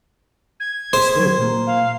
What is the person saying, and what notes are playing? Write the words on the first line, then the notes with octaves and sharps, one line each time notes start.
He spoke.
G#6
G#4 B4 C5
F#3
A#2 A#3
F5